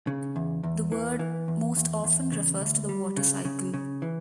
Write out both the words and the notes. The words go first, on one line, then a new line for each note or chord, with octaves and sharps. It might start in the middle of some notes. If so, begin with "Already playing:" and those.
The word most often refers to the water cycle.
C#3
E2
E2
E3
E3
E2
E2
E2
C#3
D2
G3
C#3
C#3
C#3
E3